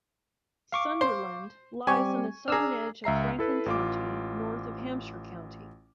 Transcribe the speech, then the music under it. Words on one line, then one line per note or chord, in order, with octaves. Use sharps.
Sunderland lies on the southern edge of Franklin County, north of Hampshire County.
F5 C#6 D6
C5
G3 C4 G4 G#5 C#6
D4 G#4 A#5 E6 F6
C#2 E5 A#5 C7
E4 A4 B4
A1 F4 D6